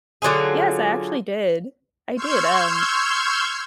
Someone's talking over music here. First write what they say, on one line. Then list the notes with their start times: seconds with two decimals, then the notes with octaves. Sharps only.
Yes, I actually did. I did, um,
0.22 D3 F#3 F4 G#4
2.15 C6 C#6 E6 F6 G6 G#6